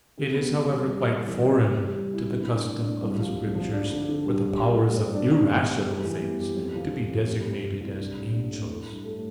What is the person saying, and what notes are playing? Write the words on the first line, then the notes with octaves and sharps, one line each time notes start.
It is, however, quite foreign to the custom of the Scriptures for the powers of irrational things to be designated as angels.
C3
B3
B3
G3
G3
C3
E3
C3
G4
G3
G3
E4
D3
D4
D4
D4
C2
F3
C2
F3
D4
D3
D3
G3
G3
G3
G3
C5
D4
D4
B3
G3
G4
E3
B3
G4
F2
F3
F2
F3
C3
C3
C3
C2
D4
A2
D4
A2
A3
G2
A3